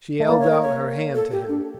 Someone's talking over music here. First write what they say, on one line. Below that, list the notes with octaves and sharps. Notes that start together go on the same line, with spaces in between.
She held out her hand to him.
A3
A#3 D5
C#5
A#4
C#5
A4
G4
D4